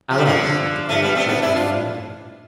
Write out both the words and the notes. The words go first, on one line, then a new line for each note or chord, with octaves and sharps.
"Allies!" said the queen, shaking her head.
F3
G3
D3 F3
F3 A3
G3 B3
A3 C4
B3 D4
C4 E4
D4 F4